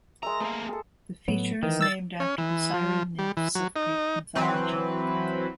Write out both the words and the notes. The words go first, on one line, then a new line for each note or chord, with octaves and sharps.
The feature is named after the Siren nymphs of Greek mythology.
G#3 A#4 E5 A#5
A3 A#3 D#5 A#5
G#4 A4
A2 F#3 B3
D#3 E3
E6 A6
C#4
E3
F3
G3
E3
F#3
D#4
E3 F#3 C4 B4